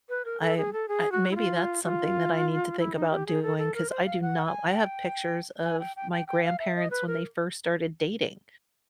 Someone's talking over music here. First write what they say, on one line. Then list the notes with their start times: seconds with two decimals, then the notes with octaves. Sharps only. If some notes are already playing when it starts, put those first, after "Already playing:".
I I maybe that's something that I need to think about doing, 'cause I do not I have pictures of my grandparents when they first started dating
0.09 B4
0.25 A#4
0.41 A4
0.57 G#4
0.73 A4
0.88 G#4
1.12 F#4
1.31 E4
1.36 F4
1.84 F#4
1.88 F4
2.79 E4
2.95 D#4
3.10 G4
3.26 G#4
3.42 A4
3.58 A4
3.74 A#4
3.90 C5
4.06 F5
4.22 F#5
4.45 G#5
4.69 G5
5.64 G#5
5.79 G5
5.96 G5
6.11 G5
6.27 G5
6.44 F5
6.59 E5
6.76 D#5
6.91 B4
7.07 A#4